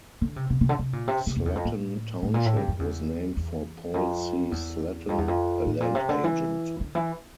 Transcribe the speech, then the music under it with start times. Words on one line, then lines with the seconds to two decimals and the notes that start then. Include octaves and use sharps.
Sletten Township was named for Paul C. Sletten, a land agent.
0.21 D3
0.36 C3
0.50 C3
0.61 C3
0.69 D3
0.79 C3
0.93 A#2
1.08 C3
1.27 C3
1.36 F2
1.46 E2
1.55 F2
1.65 A2
2.22 A2
2.34 A#2
2.45 A2
2.56 G2
2.68 F2
2.79 E2
3.37 E2
3.94 F2
4.52 E2
5.09 F2
5.18 E2
5.28 F2
5.66 A2
5.81 A#2
5.95 C3
6.09 D3
6.24 E3
6.81 D3
6.95 E3